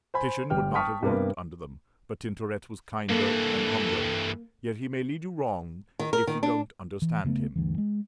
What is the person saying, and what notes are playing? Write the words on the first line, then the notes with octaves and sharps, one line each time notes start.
Titian would not have worked under them, but Tintoret was kinder and humbler; yet he may lead you wrong if you don't understand him.
C5 G#5 B5
G1 G3 G5 F6
G5 A5 C#6 D#6 F6 B6
G2 C3 A#3 B3
G2 E3 A#3 A4
D#3
A#4
D#3
D4
E3
C#3 G#3 A3 B3
D2 G2 E3
G#3